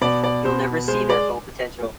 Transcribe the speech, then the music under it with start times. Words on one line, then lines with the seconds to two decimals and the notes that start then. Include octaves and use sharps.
You'll never see their full potential.
0.01 B2 D5
0.24 D5
0.45 B2 C5
0.88 G#3 C5
1.10 D5